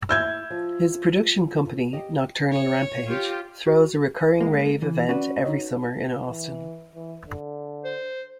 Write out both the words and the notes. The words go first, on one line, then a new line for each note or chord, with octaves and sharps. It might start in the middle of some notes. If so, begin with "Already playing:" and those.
His production company "Nocturnal Rampage" throws a recurring rave event every summer in Austin.
E4 E5 E6 G6 G#6
F3
G4 D#5
C#5
F4 G4
F#4
G#3 A#3
E3
C#4 F#4 B4 D5
D#4 C#5 D#5
E3
E3
D3
C5